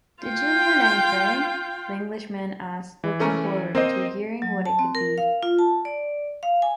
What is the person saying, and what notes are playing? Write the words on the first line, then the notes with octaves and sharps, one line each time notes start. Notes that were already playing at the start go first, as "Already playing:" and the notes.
"Did you learn anything??", the English man asked looking forward to hearing what it could be.
F4 G5
E3
A3 C#4 A#4
A#3 C4 C5 D#5
F#3
A5
C4
A#4
F5
F4
A5
D5
F5
G#5